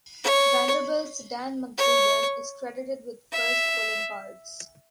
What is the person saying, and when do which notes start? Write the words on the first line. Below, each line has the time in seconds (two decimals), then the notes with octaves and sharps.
Vanderbilt's Dan McGugin is credited with first pulling guards.
0.24 C#5
1.78 C#5
3.32 E5